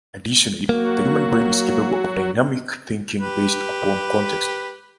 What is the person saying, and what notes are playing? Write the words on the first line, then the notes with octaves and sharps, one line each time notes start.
Additionally, the human brain is capable of dynamic thinking based upon context.
F#3 A#3 F#4
G4 B4